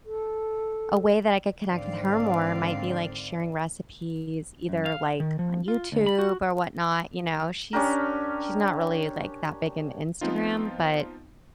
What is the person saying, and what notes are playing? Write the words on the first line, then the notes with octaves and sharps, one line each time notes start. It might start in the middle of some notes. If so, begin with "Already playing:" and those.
a way that I could connect with her more might be, like, sharing recipes either, like, on YouTube or whatnot, you know? She's she's not really, like, that big into Instagram, but
A4
G#2 D3 D#3 C4 D5 F5
F#2
F5
D#3
F3
F4
D2
B5
F#4
C#4 D4 G4 A#4
F3 B3 C4 D#4 F4